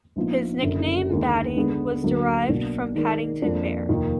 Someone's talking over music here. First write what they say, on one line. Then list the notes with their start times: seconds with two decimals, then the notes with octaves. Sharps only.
His nickname Badding was derived from Paddington Bear.
0.16 A#1 A#2 F3 B3 D#4
0.63 F#1 F#2 D3
1.09 D#2 D3 G#3
1.57 D3 G#3 B3
2.03 D2 D3 F#3 A#3
2.49 B1 B2 A#3 D4 F#4
2.95 D#3 G#3 D#4 A#4 D5
3.42 F2 F3 A#3 D4
3.89 F1 D#2 D#3 A#3 F4